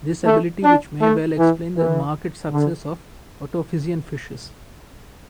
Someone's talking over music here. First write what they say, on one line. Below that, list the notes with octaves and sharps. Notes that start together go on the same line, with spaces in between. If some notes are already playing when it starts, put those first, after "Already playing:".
This ability which may well explain the marked success of otophysian fishes.
A3
D4
A3
E3
E3
D3